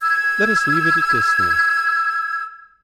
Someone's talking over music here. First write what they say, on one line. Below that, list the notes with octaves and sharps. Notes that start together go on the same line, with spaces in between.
Let us leave it at this then.
E6 G#6